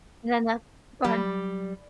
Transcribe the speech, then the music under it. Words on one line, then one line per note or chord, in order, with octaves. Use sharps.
And then that go ahead.
F#3 G3